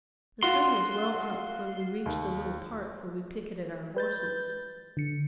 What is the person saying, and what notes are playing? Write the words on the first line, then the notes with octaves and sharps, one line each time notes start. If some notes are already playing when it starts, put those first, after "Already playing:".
The sun was well up when we reached the little park where we picketed our horses.
F4 F#4 C6
D#2
B4 G6 A6
D3 C#7